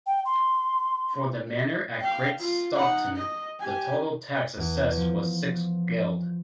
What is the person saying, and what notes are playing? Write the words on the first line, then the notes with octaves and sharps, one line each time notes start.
For the manor at Great Staughton the total tax assessed was six geld.
G5
C6
F5 G5
F4
D#4 F#5
D#5
G4 G#5
E2
F3